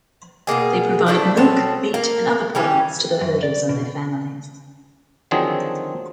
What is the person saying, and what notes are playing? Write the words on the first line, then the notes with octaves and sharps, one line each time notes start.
They provide milk, meat and other products to the herders and their families.
B2 E3 A#3 G#4
A3 D4 E4
B2 C4 A4 C#5
A#3
E3 G3 C#4
F#2
D5
B2
D3 D#3 F3 F#3 C4 G#4